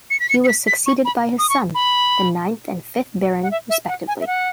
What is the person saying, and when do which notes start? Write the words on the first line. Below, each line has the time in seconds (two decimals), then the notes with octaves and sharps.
He was succeeded by his son, the ninth and fifth Baron respectively.
0.10 C#7
0.20 B6
0.29 C#7
0.44 C#7
0.48 B6
0.67 B6
0.86 C#6
1.05 B5
1.39 D#6
1.50 C#6
1.75 B5
3.43 F#5
3.51 E5
3.70 E5
3.89 F#5
4.08 G#5
4.21 E5
4.27 F#5